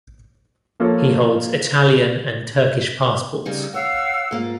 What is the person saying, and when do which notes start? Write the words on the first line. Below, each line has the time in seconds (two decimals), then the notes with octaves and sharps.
He holds Italian and Turkish passports.
0.80 F3 A#3 F4 A4 C#5
3.45 C#3 G3 D#4
3.74 C#5 F5 F#5 E6
4.31 G#2 A#3 F4